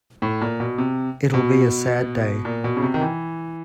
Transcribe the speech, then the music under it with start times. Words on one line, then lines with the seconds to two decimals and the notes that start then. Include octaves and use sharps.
It'll be a sad day.
0.22 A2
0.41 A#2
0.60 B2
0.78 C3
1.34 B2
2.45 A#2
2.64 B2
2.77 C#3
2.83 C3
2.94 D#3
3.01 E3